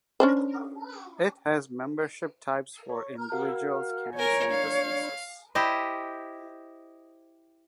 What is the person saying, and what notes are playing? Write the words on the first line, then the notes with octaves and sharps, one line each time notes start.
It has membership types for individuals, camps, and businesses.
C#4 D4 C5
C#5
F#4 A#4 F5
A#4 C#5 G#5
D4 F5
E4 G4 C5 D#5